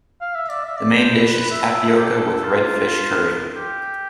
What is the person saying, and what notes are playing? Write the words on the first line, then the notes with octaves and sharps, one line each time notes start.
The main dish is tapioca with red fish curry.
F5
E5
D5
E5
D5
C5
B4
B4
E5
E5
A4
G4
A4
A4
F4
G4